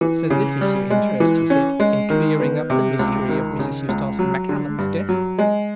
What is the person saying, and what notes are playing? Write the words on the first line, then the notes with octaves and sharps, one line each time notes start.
"So this is your interest," he said, "in clearing up the mystery of Mrs. Eustace Macallan's death?"
E3
C#3
G3
G#3
E3
C#4
G#3
D#3
B3
C3
C#2
D#3
C#3
C#2
F#3
D3
G2
F#3
G#3